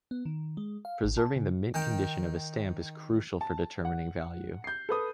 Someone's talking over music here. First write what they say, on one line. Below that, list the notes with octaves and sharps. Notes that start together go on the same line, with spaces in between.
Preserving the mint condition of a stamp is crucial for determining value.
B3
D#3
G#3
F5
G#1
A5
C#3
D#3 G5
A5
F#5
G6 C7
A4 B4 D#6